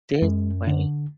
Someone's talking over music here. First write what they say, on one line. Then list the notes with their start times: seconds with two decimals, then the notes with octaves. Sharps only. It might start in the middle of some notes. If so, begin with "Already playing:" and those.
this way
0.22 F#2 G#3
0.67 D3